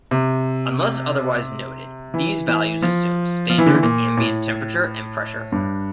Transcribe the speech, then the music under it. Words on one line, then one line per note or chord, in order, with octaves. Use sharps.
Unless otherwise noted, these values assume standard ambient temperature and pressure.
C3
E3
E3
F3
F3
E3
D3
E3
A#2
A2
G2